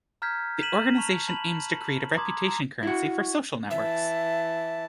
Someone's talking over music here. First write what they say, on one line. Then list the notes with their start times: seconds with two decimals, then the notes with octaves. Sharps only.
The organization aims to create a reputation currency for social networks.
0.22 A#5 F6 G6 G#6 B6
0.62 B6 D#7 E7 F#7
0.95 A5 A#5 C#6 F7
1.28 A5 B5 F#7
2.17 A#5 C6 D6 D#6 G#6
2.48 A#5
2.83 E4 F#4
3.71 E3 E5 A5